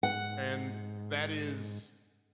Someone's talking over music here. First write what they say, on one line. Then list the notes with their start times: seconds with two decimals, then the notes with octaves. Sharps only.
And that is
0.03 G#2 F#5